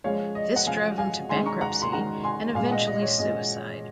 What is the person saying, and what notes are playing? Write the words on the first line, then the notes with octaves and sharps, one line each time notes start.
This drove him to bankruptcy and eventually suicide.
F3 G#3 C#4 C#5 F5
D#5
F#5
F3 G#3 C#4 F5 G#5
F5 G#5
D#3 G#3 C#4 G#5 C6
A#5 C#6
F#5 A#5
C6
D#3 G#3 C#4 F#5 A#5
G#5 C6
A#2 G#3 C#4 F5 G#5
D#5 F#5
D#5
C#5
A#2 G#3 C#4 D#5